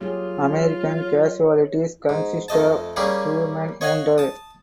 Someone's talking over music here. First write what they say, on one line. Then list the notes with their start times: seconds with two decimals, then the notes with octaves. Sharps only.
American casualties consisted of two men wounded.
0.01 F#3 A#3 F4 G4 G#4 C#5
2.09 G#2
2.48 F2 A3 D#5 A5
2.96 G3 A#3 C#4 G4 G#4
3.81 C#5 D#5 F5 F#5 G#5
4.18 A5 D#6